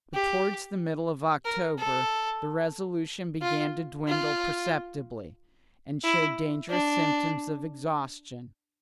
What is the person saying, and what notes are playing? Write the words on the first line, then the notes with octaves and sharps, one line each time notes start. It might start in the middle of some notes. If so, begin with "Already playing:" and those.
But towards the middle of October the resolution began to dwindle perceptibly, and showed dangerous symptoms of exhaustion.
G4
A#4
A4
F4
F4
E4
D4